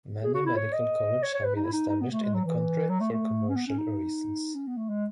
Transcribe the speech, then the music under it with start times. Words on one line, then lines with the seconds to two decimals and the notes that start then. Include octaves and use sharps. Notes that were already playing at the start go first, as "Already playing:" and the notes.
Many medical colleges have been established in the country for commercial reasons.
0.23 G#4
0.34 F#4
0.46 E4
0.56 C#5
0.73 D#5
1.22 C#5
1.34 C#5
1.45 B4
1.56 D#4
1.65 E4
1.72 D#4
1.89 D#4
2.01 B3
2.11 A3
2.23 G#3
2.34 F#3
2.45 E3
2.89 F#3
3.00 A3
3.12 A3
3.49 C#4
3.56 B3
3.67 C#4
3.78 D#4
4.55 C#4
4.67 B3
4.77 A3
4.89 G#3